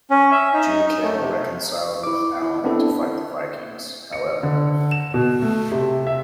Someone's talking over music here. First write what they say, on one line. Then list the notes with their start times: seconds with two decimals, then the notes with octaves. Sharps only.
Judicael reconciled with Alan to fight the Vikings, however.
0.10 C#4
0.32 E5
0.54 D#4
0.86 D#4
1.03 A3
1.21 C3
2.03 E4 D6
2.42 E4
2.64 B3 C4 D4 E4 A4
4.13 C#7
4.43 D3
4.91 E7
5.14 B2
5.42 A3
5.72 C3
6.07 E5